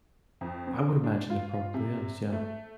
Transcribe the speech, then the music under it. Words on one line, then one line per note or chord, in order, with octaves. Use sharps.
I would imagine there probably is, yeah.
F2
C4
D4
F4
C3
A3